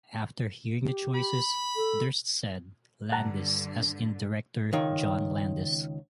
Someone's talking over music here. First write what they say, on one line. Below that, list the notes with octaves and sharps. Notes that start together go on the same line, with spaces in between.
After hearing the choices, Durst said "Landis," as in director John Landis.
G4
B5
A4
G2 D3 F#5 A5 A#5
C#2 D#3